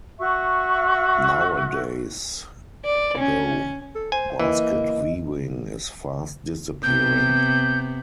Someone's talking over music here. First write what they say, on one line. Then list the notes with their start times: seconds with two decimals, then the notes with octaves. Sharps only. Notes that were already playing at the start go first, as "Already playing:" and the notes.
Nowadays, though, basket-weaving is fast disappearing.
0.20 F#4 E5 C#6
2.83 D5
3.18 C#4
3.95 A4
4.12 C5 G#5
4.39 E3 A#3 D#5
6.83 C3 B3 G6